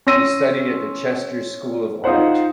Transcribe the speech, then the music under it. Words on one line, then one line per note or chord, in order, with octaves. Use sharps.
He studied at the Chester School of Art.
C#4 C6 E6 A#6 D#7
D#4 F4 C5 F#5